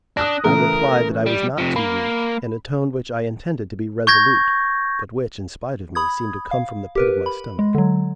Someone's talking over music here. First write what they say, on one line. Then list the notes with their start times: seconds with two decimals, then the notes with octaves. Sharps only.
I replied that I was not too weak, in a tone which I intended to be resolute, but which, in spite of me, seemed to come from the pit of my stomach.
0.17 D4 D#6 F#6 A#6
0.44 C#3 E3 A3 A#4
1.26 G3
1.58 C3 F3
1.76 A#3 B5
4.07 C#6 G6 G#6 A#6
5.95 B5 D#6 G#6
6.51 F5
6.96 G4 A#4 B4
7.26 B5
7.59 G#3
7.75 D3 F#3